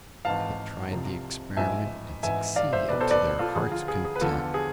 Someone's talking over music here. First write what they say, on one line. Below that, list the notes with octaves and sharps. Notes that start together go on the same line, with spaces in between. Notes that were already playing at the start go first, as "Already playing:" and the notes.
They tried the experiment, and succeeded to their heart's content.
G#1 G#2 E3 F5 A5
C2 C3 F3
A1 G#2 F3 E5 G#5
G#1 G#2 E3 E5 G#5
D5 F5
C5 E5
B1 B2 B4 D5
A4 C5
B4 D5
F4 A4
D2 D3 F3 G#4
F4
G#4
G#4
B4
E2 D3 F3 F4 A4
G#4